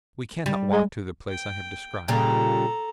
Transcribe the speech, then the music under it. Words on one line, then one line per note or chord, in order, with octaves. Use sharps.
We cannot walk to the place I have described.
G3
G#3
G5
A#2 C#3 G3 A4 A#5